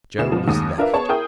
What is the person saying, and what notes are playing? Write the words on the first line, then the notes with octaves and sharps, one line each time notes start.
Joe was left.
D2 E4 G#4 E7
B2 F3
D#2 G#3 D#6
D4 F4 A#4 B4 D5 E5
B3 G#4 C#5 A5
E4 G#4 A#4 G5 D#6 G6